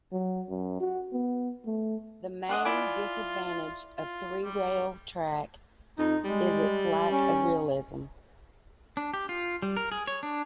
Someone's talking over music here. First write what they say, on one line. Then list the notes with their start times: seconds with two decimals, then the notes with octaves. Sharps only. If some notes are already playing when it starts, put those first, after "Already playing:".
The main disadvantage of three-rail track is its lack of realism.
0.12 F#3
0.49 F#2
0.80 F#4
1.12 B3
1.65 A3
2.49 D4 D#5 F#5 C6
2.65 E4 F4 D5 G#5
3.98 F4
4.44 G3
5.99 F2 D#4
6.25 G3 G#3
7.11 C#4
8.97 D4
9.14 G4
9.29 F4
9.62 G3
9.77 A#4
9.92 G#4
10.07 C#5
10.23 D4